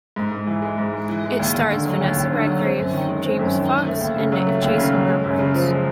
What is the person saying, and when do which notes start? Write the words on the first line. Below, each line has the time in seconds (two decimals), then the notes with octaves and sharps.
It stars Vanessa Redgrave, James Fox, and Jason Robards.
0.16 G#2
0.32 G#2
0.47 E3
0.62 G#3
0.78 G#2
0.93 G#2
1.09 E3
1.24 G#3
1.39 D#2
1.55 D#2
1.70 D3
1.85 F#3
2.01 D#2
2.17 D#2
2.32 D3
2.47 F#3
2.62 C4
2.78 F#2
2.93 D#3
3.08 G#3
3.24 C4
3.39 F#2
3.55 D#3
3.70 G#3
3.86 A3
4.01 D#2
4.16 C#3
4.32 F#3
4.47 A3
4.62 D#2
4.78 C#3
4.92 F#3
5.08 G#3
5.24 F#2
5.39 C#3
5.55 F3
5.70 G#3